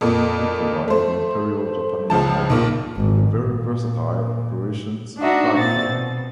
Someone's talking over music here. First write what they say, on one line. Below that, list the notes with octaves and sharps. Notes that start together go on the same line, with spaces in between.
It provided the Imperial Japanese Navy with a very versatile operations platform.
F2 A#2
A3 C5
C#2 C#3 F3 A5
B1 A#2
G#1
A#2
D4 D#4 F#4 E5
A#2 C4 A6
B2